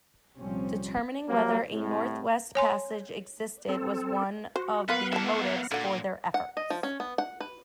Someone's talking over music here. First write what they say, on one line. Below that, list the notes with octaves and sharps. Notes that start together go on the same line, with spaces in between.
Determining whether a Northwest Passage existed was one of the motives for their efforts.
C2 A#2 F3 G3 C4 C#4
F#3 G3 A#3
C2 A2
C#5 G#5 C6
C4 A4
F#4 C5
A#3 B3 F4 B4 F5 F#5
E3 A#3 E5 A5
A#2 D3 F#4
F#5
D#5
F3
C#4
B3
F#5
B4